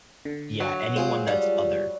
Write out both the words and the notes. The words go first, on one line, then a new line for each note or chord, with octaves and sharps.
Yeah, anyone that's other.
D3
F#3
G#3 F4 G#4 C5
G3